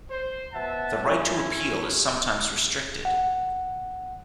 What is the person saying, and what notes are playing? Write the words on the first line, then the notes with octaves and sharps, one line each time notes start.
The right to appeal is sometimes restricted.
C5
B2 E5 F#5 A5
C#4 E4
F#5